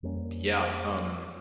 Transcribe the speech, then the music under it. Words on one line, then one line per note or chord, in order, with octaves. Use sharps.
Yeah. Um,
F2 G3 A#3 C#4